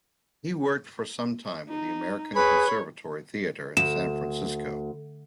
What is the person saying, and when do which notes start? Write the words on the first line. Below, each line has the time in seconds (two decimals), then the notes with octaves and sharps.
He worked for some time with the American Conservatory Theater in San Francisco.
1.69 D#4
2.36 G#4 B4 C#5 B5
3.77 D2 E7